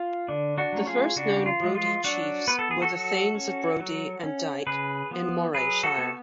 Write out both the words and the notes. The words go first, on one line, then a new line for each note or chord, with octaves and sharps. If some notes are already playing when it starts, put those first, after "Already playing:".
The first known Brodie chiefs were the Thanes of Brodie and Dyke in Morayshire.
Already playing: F4
D3 D4
D4 F#4
F#3 A3 C#4
F4 G#4
C#3 D4 F#4
F4
F3 G#3
F4
F#3 D4 F#4
B3 B4
A4
G#4
F#4 A4
F#3
C#4
F#3
C#4
C#3 G#4 B4
F3 B3
F#3 G#4 B4
F#4 A4
B3